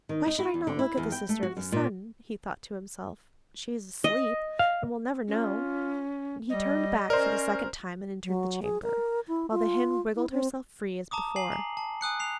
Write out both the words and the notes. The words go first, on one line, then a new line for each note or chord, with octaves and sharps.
'Why should I not look at the Sister of the Sun?' he thought to himself; 'she is asleep, and will never know.' And he turned back for the second time and entered the chamber, while the hen wriggled herself free as before.
D#3
D#4
E4
E2
D3
E4
E2
G5
A3
F#4
F#2
A#2
D#5
F5
C#4 F4
G3 D#5
C#4 A#4 C5 D5 C6
F#3
G#4
A#4
E4
F4
E4
C4
A5 A#5 D6 D#6
G#5 C7 F#7
A#5
A5
G#5 D#6 F#6 C#7
C7 F7